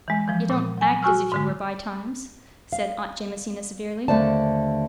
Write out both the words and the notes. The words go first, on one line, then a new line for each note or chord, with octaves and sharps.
"You don't act as if you were by times," said Aunt Jamesina severely.
E3 G#3
E3 F3 G#3
A#2
F#3 G#5
F#4 G#5 C#6 E6 F6
G#2 D3 G#3
F5
D#2 D3 A3 C5 D5 A5